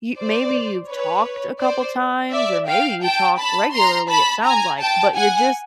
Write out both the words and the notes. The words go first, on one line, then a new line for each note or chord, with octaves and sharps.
y maybe you've talked a couple times- or maybe you talk regularly, it sounds like- but you're just
C5 D5
B4 C#5
C5 D5
D5 E5
F5 G5
G5 A5
A5 B5
A#5 C6
A5 B5
G#5 A#5
G5 A5
F#5 G#5